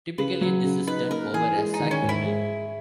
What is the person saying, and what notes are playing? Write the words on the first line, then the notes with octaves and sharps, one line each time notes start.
Typically, this is done over a "sac" griddle.
C#3 B4
F#3
C#3
D#4 B4
A#3 A#4
E3 G#4
G#3
D#4
D#3
C#4
G#2
E4
G#3